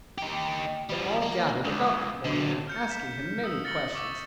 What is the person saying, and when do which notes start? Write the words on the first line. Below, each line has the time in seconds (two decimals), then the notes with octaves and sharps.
They all gathered about the poor man, asking him many questions.
0.18 D#4 G4
0.90 F3 G3
1.23 A#3
1.65 C#2
2.25 D3 F#3
2.67 F6 G6 C#7
2.90 B6 E7
3.44 D#6 E6 G6
3.64 F6 A6 A#6 C#7 F#7 G7
3.94 C#6 D6 E6 A6